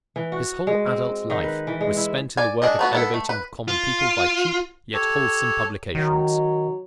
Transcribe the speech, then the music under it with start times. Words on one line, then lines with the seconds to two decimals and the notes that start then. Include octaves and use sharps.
His whole adult life was spent in the work of elevating the common people by cheap, yet wholesome, publications.
0.16 E3
0.32 F#4
0.67 G#3
0.86 C4
1.30 D#3
1.44 B4
1.67 E3
1.81 G#3
1.97 E4
2.37 D5 G#5
2.62 D4 G#4 D#5
2.79 A3 B3 F#4
2.93 B3 E4 A4
3.14 A3
3.29 B4
3.68 F4
4.94 G4 A4 C#5
5.95 D#3 F#3